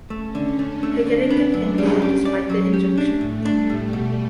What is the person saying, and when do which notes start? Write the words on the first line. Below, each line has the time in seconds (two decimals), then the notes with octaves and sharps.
Picketing continued despite the injunction.
0.10 A3 C#4
0.35 D3
0.58 A3 D4
0.83 A3
1.07 D3 D4
1.30 B3
1.54 F#2 C#4
1.78 G3
2.02 G4
2.25 D5
2.50 F#3
2.74 G4
2.98 A3 D4
3.21 A2
3.45 G3 D4
3.70 A2
3.93 B2